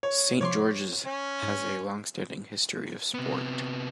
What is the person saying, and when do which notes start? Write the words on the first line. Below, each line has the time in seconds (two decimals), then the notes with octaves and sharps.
Saint George's has a longstanding history of sport.
0.03 C#5
0.41 C3 F3 C#5 C6 D6
1.06 C#4
1.43 G#2
3.14 C3 B3